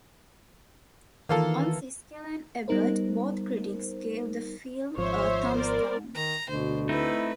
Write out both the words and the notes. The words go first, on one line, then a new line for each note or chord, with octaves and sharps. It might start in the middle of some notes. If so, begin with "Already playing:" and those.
On Siskel and Ebert, both critics gave the film a thumbs down.
D#3 E3 A#3 F4 A4
G3 B3 D#4 A#4 C5
G#1 F3 C5 C#5 E5
B3 A#4 D5
D#3 A#5
D2 B2 C5
A3 C4 D#4 E4 B4